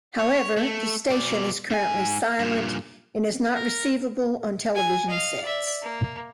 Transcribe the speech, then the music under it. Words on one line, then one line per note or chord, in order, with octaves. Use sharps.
However, the station is currently silent, and is not receivable on television sets.
C#5
A3
B2 D5
G#2 G#5
G2 A#2
A#4
G#5
D#5 F5
D5 E5
A#3